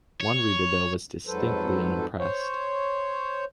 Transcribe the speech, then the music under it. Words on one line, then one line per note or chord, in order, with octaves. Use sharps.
One reader though was distinctly unimpressed.
C#5
F2 G#2 F#3 A4 B4 C5
C5 C#5